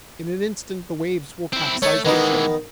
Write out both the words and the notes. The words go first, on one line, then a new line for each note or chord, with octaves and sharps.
In an instant the waves will capsize the ship!
C4 E4
A3 C#5 A5
D#3 E3 G#3 B3 D#4